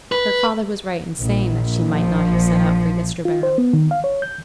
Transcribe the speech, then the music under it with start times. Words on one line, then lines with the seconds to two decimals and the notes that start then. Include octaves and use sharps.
Her father was right in saying that she might not have set out for Yesterbarrow.
0.12 B4
1.19 A#1
1.88 F3
3.25 F4
3.43 C5
3.58 B3
3.73 D#3
3.91 F5
4.04 C#5
4.22 G6